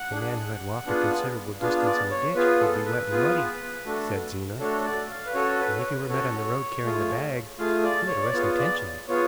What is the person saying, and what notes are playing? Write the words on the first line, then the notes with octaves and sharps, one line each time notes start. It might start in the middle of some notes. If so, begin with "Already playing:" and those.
"A man who had walked a considerable distance in a ditch would be wet and muddy," said Zena, "and if he were met on the road carrying a bag he would arrest attention."
Already playing: F#5
D4 G#4
B3 D4 F4 G#4
B3 D4 F4 G#4 F5
D5
C#5
B3 F4 G#4 B4
A4
B4
B3 F4 G#4
A3 D4 F#4 A4
A3 D4 F#4 A4 C#5
D5
F5
B4
C#4 F#4 A4 C#5
B4
C#5
B4
C#4 F#4 A4 C#5
A3 F4 G#4
A3 F4 G#4 F5
D5
C#5
D5
B3 F4 G#4 C#5
D5
B3 F4 G#4 C#5